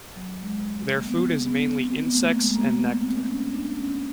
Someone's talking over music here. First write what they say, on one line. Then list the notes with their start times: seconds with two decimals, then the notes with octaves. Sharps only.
Their food is mainly insects and nectar.
0.16 F#3
0.42 G#3
0.95 A#3
1.07 B3
1.46 B3
1.84 C4
2.05 B3
2.14 A3
2.24 A#3
2.40 G#3
2.48 A3
2.56 A#3
2.63 B3
3.01 C4
3.28 C#4
3.53 D4
3.79 C#4